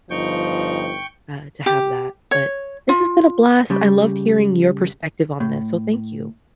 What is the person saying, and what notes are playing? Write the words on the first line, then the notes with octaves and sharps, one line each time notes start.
uh, to have that, but this has been a blast, I loved hearing your perspective on this, so thank you.
G1 F3 D#4 G5 C#6
G4
C#5
F4
C#3 G3
A2